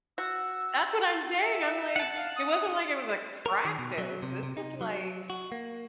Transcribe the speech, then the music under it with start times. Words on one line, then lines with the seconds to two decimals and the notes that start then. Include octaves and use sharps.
That's what I'm saying, I'm like, it wasn't like it was, like, practice, this was, like
0.18 F#4 E6
1.40 E5
1.96 F#5 A5
2.17 F5
2.36 D#6
3.46 A#4
3.65 D#3
3.79 B2
3.98 F#3
4.22 C3
4.43 C3
4.57 D#4
4.81 F#3
5.30 F#4
5.52 A#3